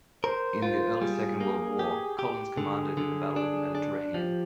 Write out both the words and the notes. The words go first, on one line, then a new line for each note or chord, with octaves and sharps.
In the early Second World War, Collins commanded in the Battle of the Mediterranean.
A#4 C5
F4 C5
G3 G#4
A#3
G4
G4
D3 G#4
D3
D4
D4
F3 G4